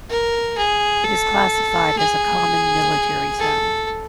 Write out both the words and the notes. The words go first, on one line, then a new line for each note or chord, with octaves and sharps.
It is classified as a Common Military Zone.
A#4
G#4
A4
G#4
A4